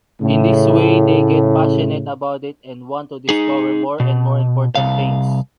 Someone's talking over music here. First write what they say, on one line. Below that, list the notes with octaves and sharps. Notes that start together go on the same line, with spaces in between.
In this way they get passionate about it and want to discover more and more important things.
A2 C#3
D#4 G#4
B2
C2 F5